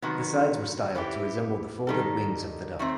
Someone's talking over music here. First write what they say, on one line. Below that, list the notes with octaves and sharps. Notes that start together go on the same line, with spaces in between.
The sides were styled to resemble the folded wings of the duck.
C3 D#3 F#3 B3
E3 B3 E4 G4
D#3 G3 D#4 A4
D#3 A3 C4